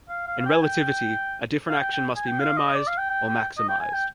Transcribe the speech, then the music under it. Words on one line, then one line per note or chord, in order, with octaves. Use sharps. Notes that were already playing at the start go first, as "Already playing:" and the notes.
In relativity, a different action must be minimized or maximized.
F5
F5
F5
G5
G#5
G5
F5
G5
G5
G#5
G5
F5
D#5
D5
F5
G5
G5
G5
D#5
G5
G#5
G5